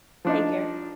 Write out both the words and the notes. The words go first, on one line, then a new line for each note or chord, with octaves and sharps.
Take care.
F3 D4 D#4